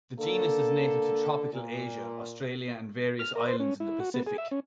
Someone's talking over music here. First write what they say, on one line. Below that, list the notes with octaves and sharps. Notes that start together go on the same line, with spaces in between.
The genus is native to tropical Asia, Australia, and various islands in the Pacific.
D3 A#3 A4
A#2
F6
A#4
C5
C#4
E4
F#4
B3
G#4
E5
C#4